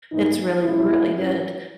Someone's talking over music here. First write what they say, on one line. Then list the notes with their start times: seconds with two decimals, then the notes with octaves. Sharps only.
it's really, really good.
0.12 G#2 E3 A#3 D#4
0.63 B2 G#3 C#4 E4
1.14 G#2 G3 C#4